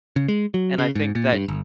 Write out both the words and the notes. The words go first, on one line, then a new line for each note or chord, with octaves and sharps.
And, I think that
C#3
G#3
F#3
C#3
G#2
A#2
G2
G1